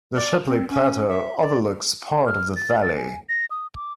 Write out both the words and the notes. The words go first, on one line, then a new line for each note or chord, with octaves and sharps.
The Shipley Plateau overlooks part of the valley.
D5
C4
C#4
E5
D5
F6
A6
A6
G#5
A#6
D#6
D6